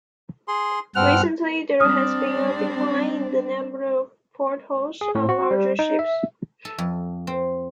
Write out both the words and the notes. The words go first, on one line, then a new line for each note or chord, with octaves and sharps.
Recently there has been a decline in the number of portholes on larger ships.
G#4 C6
G2 B2 C4 F#5 F6
G3 C4 D4 D#6 F6
G#4
A2
F#4
G3
D#4
E5
A4
F2
C4